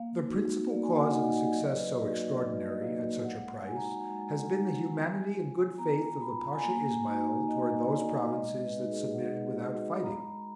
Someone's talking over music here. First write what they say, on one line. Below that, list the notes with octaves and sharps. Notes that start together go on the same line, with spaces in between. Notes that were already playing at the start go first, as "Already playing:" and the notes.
The principal cause of a success so extraordinary, at such a price, has been the humanity and good faith of the Pasha Ismael towards those provinces that submitted without fighting.
Already playing: A#3 F5
D#4 F#4
A#3 D5
G#5
F#5
F5
D#4 F#4 D#5
F#3 D#5
D5
B4
D5
A#3 D#4 F#4
F#3
D#5
A#3 D#4 F#4 F5
G#3 F#5
D#4 F#4 G#5
A#5
G#5
G#3
D#4 F#4
B3
F4
B3 A#5
F4 B5
G#5
A#3 A#5
D#4 F#4 G#5
A#3 D#5
D#4 F#4 D5
F5
G#3 D#5
B4
B3 D#4 F#4
G#4
F#5
G#3 F5
B3 D#4 F#4 D#5
B5
G#3 A#5